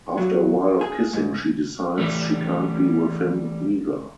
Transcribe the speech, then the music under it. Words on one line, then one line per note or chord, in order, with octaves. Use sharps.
After a while of kissing she decides she can't be with him either.
F#3
G#4
G#2
E3 G3 A3